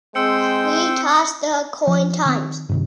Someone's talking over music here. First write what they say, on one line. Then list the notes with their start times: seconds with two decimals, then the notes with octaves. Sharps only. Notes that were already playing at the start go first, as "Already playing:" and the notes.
We toss the coin times.
0.15 G#3 C4 C5 G5 E6 C#7
1.87 F3
2.25 D#3 C4
2.69 G2 C3 D#3